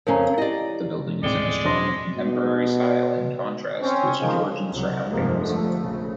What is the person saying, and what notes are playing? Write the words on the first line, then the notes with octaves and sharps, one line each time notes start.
The building is in a strongly contemporary style in contrast to its Georgian surroundings.
F2 C#3 C#4 A#4 A#5
E4 G4 D5 D#5
D#1 A2 G#3 C4 D5 C#7 G7
E2 B2 D4 C5 C6 A#6
B2
C4 C#4
D#3 F3 G#3
C2 C3 F#3
F1 G2 C3 F3 G#3 A#3
D3 F3 A3
A#1 C#3 A3